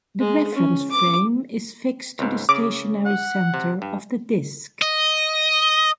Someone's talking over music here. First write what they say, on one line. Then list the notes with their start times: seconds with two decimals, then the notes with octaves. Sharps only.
The reference frame is fixed to the stationary center of the disk.
0.20 G#3
0.54 C#4
0.91 D6
2.19 C#2 G#2
2.49 C#3 D6
3.06 F#5
3.54 C3
3.82 G2
4.82 D#5